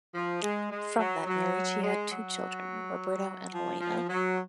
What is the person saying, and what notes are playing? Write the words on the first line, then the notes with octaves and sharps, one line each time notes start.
From that marriage, he had two children: Roberto and Elena.
F3
G#3
G#3
F#3
F#3
G#3
F#3
F3
F3
F#3